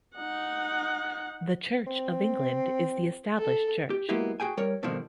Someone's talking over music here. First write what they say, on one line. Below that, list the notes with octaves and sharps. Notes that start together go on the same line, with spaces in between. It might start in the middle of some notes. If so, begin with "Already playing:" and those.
The Church of England is the established church.
D#4 F#5
C4
A4
G4
F#3 G#3 A#3 B3 E4 G4
F#4 G#4 G5 G#5
G3 A#4 C#5
G2 B2 D3 D#3 F3 D4